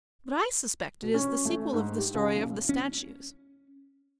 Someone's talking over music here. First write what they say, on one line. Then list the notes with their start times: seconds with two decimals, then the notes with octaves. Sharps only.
But I suspect it is the sequel of the story of the statues.
1.02 B2
1.14 C#4
1.45 A3
1.73 G#2
1.98 G4
2.14 C#2
2.35 B1
2.69 C#4